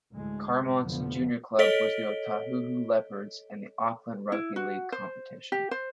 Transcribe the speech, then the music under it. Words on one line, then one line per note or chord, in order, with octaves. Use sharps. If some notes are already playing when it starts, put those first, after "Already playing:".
Carmont's junior club was the Otahuhu Leopards in the Auckland Rugby League competition.
D2 A2 G#3
F1 B1 D3 F3 B3
A4 C#5 D#5 B6 D7 G7
E4
F#4
C5
G4
C5